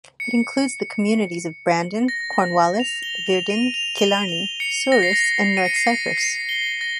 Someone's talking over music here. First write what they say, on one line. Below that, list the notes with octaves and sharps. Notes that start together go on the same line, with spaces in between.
It includes the communities of Brandon, Cornwallis, Virden, Killarney, Souris and North Cypress.
C#7
A#6
A#6
F7
G7
F7
D#7
F7
G7
F7
C#7
A#6
C7
A#6
D#7
C#7
C7
A#6
C7
G7
A#6